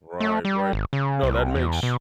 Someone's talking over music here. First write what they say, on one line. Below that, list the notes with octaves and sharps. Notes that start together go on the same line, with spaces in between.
Right, right. No, that makes
A3
G3
G#1
C#3
C2
E2
B2